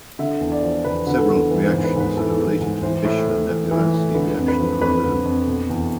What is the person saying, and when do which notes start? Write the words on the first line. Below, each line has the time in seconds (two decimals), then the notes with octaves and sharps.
Several reactions that are related to the Bischler-Napieralski reaction are known.
0.19 D3 E5
0.41 E2
0.52 D5
0.63 F3
0.85 E2 B4
1.07 D3 B4
1.18 A4
1.29 E2
1.50 E3 B4
1.68 C5
1.73 G#2
1.84 B4
1.95 G#2 B4
2.17 E3 A4
2.39 E3
2.61 G#2
2.83 E3 C5
3.05 A2
3.27 A2
3.49 E3
3.71 E3
3.93 A2
4.14 D3 B4
4.37 F2
4.48 B4
4.59 F3
4.81 F2 B4
5.04 D3
5.25 F2
5.46 B2
5.69 E2